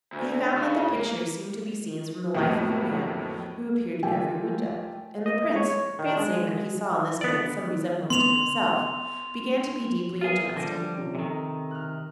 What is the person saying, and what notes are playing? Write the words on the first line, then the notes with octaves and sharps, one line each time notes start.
He found that the pictures seemed to be scenes from the life of a man who appeared in every window, and the Prince, fancying that he saw in this man some resemblance to himself, began to be deeply interested.
D2
C#3
A#3
F2 A2 C3 F#3 A#3 B3
A3 F4 G4 A#4 G5 G#5
D#5
C#5
D#3
G#3
B3 D5
B3 C6 F7
B3 F4 G#4 A#4 E5
D3 F3 G3 A#6
C3 F3 C#4
C3 D#3 A4
F6 F#6